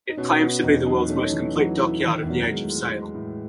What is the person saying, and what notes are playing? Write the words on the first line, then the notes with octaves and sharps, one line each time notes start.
It claims to be the world's most complete dockyard of the Age of Sail.
D#4
B2 C#4
B3
E2 D#4
C#4
F#3 D#4
A3 C#4
D#4
C#4
E3
E3 F#3
E4
D#3 E3
E2 E3
F#3
E2 G#3
A3
G#3
G#3
A2